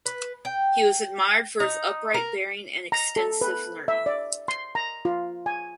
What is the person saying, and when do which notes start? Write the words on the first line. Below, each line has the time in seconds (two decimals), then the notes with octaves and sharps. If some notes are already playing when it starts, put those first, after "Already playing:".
He was admired for his "upright bearing and extensive learning".
0.06 B4
0.45 G5
1.60 D#4
2.14 A#4
2.92 A#5
3.16 A4
3.41 B4
3.88 E5
4.06 D5
4.48 C6
4.75 A#5
5.05 F4
5.46 G#5